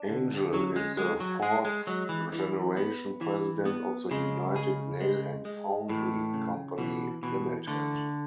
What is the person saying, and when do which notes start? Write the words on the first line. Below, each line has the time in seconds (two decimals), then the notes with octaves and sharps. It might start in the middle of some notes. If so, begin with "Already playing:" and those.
Angel is the fourth-generation president of the United Nail and Foundry Company Limited.
Already playing: D4
0.09 D3
0.53 F#3 C#4
0.76 G#3
0.97 G#3 G#4
1.20 F#3
1.42 G#3 G#4
1.65 G#3
1.87 F#3 G#3
2.09 E3
2.32 E3
2.77 B3
3.21 E3
3.65 B3
4.11 C#3 G#3
4.56 G#4
5.00 G#3
5.45 G#3
5.89 A2 E3
6.33 C#3
6.78 B2 E3
7.23 B2 E3
7.67 D3 A3